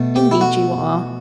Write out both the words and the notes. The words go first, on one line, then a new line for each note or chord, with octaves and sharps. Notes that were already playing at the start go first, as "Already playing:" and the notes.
'Indeed you are.
Already playing: B2 A3
G4
E4
F#4